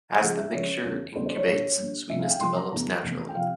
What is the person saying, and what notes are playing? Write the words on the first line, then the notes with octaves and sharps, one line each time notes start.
As the mixture incubates, sweetness develops naturally.
C#2 C#3 F3 G#3 G#4
E5
C#2 C#3 F3 G#3 C#5
E2 C#3 G3
E2 C#3 G3 C5
C5
C#5
A#1 A#2 G3
A#1 A#2 G3
C2 C3 F3 E5
F5
G5
C2 C3 F3 C6
A#5
F1 E2 E3 A#5
F1 E2 E3
G5
C3 F3 F5